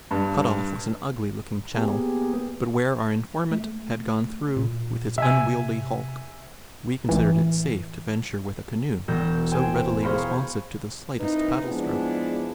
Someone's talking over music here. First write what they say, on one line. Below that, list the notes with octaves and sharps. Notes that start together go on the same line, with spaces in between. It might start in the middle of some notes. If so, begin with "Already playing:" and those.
The cut-off was an ugly looking channel; but where our informant had gone through, with his unwieldy hulk, we considered it safe to venture with a canoe, so readily responsive to the slightest paddle-stroke.
G2
A#3 B3 G4 G#4
A3
A#2
C3 E5 G#5
A1 E3
E1 E6 G6 A#6
C5 G5 G#5 E7
G#4 C5 C#5 F5 A#5 B5
A#3 C4 D#4 E4 B4
F3 G#3 B3 D4 E4 G#4